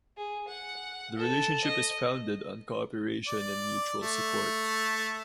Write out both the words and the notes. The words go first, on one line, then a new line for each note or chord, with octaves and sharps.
The relationship is founded on cooperation and mutual support.
G#4
F#5
A4
D#5
D5
A3